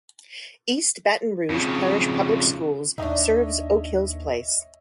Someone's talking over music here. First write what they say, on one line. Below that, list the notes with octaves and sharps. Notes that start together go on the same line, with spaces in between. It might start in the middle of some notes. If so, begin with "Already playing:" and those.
East Baton Rouge Parish Public Schools serves Oak Hills Place.
F2 C#3
D#2 D4 D#4 C#5 D#5 E5